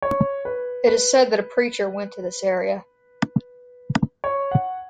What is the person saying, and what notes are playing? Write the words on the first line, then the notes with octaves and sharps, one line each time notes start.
It is said that a preacher went to this area.
C#5
B4
B4
C#5
F#5